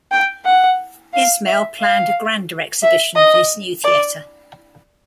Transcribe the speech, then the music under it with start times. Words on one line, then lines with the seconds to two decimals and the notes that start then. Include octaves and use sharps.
Ismail planned a grander exhibition for his new theatre.
0.11 G5
0.45 F#5
1.13 F5
1.46 E5
1.80 F5
2.82 E5
3.16 D#5
3.84 D5